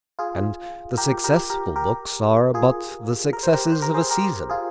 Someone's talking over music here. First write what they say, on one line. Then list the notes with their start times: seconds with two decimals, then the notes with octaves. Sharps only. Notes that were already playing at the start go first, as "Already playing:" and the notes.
And the successful books are but the successes of a season.
0.19 F4 G#4
0.97 G4 A#4
1.24 G4 A#4
1.50 G4 A#4
1.76 G4 A#4
2.54 F4 G#4
3.33 A#4
3.43 C5
3.53 G4 A#4
3.72 C5
3.82 A#4
3.94 G#4 C5
4.11 G4 A#4
4.50 F4 G#4